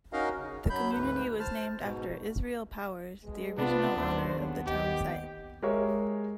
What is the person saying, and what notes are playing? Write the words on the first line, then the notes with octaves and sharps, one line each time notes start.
The community was named after Israel Powers, the original owner of the town site.
C#4 D#4 F#4 A#4 D#5 F5
C#3
F#2 F#3 B5 G6
D2 G#2 B4
C5 A5 F6
G#2 B2
B2 G#3
C3 B3 D4 F4 B4
D#2 A3 A#3 C5
C#3 B3
D#2 C4 G4 D#5
G#3 G4 G#4 A#4 C#5 E5